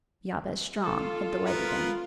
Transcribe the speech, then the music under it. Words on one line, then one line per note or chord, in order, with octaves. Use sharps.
Jabez Strong, had delighted in.
F4 A4
B3 A#4 B4